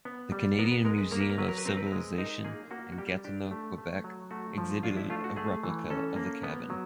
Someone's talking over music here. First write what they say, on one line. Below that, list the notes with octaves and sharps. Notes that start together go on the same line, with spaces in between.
The Canadian Museum of Civilization in Gatineau, Quebec, exhibited a replica of the cabin.
B3
G3
B3 A#4
B4
G#3 A#4
B4
A#3 A#4
B4
A#4
F#3 B4
A#4
B4
C4 A#4
B4
A#4
G#3
D#4 A#4
A#3 G#4
A#3 F#4
F#4
G3 G4
D4 G4
A3
A3
F#3
A3 F#4
F3
D4 F4
E4
A3 F4
F#4
A3 G#4
E3
C#4 A4
A#3
B3
F#3